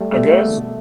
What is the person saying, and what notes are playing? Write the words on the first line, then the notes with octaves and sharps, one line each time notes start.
I guess.
G3 A3
G3 A3
A3 B3
G#3 A#3
D3 E3
B2